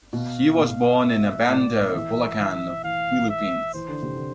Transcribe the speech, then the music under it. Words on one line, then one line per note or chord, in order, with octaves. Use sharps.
He was born in Obando, Bulacan, Philippines.
B2 F5
B2
E5
A2 D5
E3 E5
E3
E3 F5
E5
E3 C5
D3
C3
D3